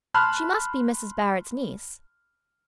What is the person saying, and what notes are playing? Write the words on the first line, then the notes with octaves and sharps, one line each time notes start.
She must be Mrs. Barrett's niece.
A5 B5 C6 F6 F#6